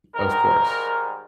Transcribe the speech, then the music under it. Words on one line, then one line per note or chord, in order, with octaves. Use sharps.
Of course.
G#2 D#3 G3 A#4